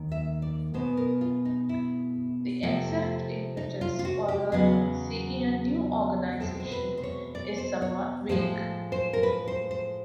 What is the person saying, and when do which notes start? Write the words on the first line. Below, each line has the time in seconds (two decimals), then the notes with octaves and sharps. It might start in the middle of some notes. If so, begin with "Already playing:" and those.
The exact impetus for Lerner seeking a new organization is somewhat vague.
Already playing: D#2 D#3
0.12 E5
0.42 D5
0.74 B2 G#3 B3 C5
0.97 A#4
1.21 F4
1.45 D#4
1.69 E4
2.63 C3 F3 A3
3.57 D#4
3.81 F4
3.99 F4
4.05 F#4
4.28 G4
4.52 E2 C#3 F#3 B3 G#4
6.40 E2 B2 G#3 C4 A4
6.60 C5
6.72 B4
6.97 C5
7.03 C#5
7.35 D5
7.58 C5
7.82 C#5
8.29 A2 F3 G#3 C5
8.92 C5
9.13 A#4
9.23 B4
9.48 C5
9.71 C5